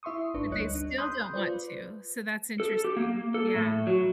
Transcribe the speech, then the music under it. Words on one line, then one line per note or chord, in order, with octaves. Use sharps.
But they still don't want to. So that's interesting, yeah.
E4 E5 C6 C#6 D#6
G1 D4 B4 C#6
D2 G3 C#5 D#5 F#6 C#7
D4
B5 C6 D#6 F#6 G6
F4 B4 C5 D5
A4
G4
A#3
A4
A2
F#3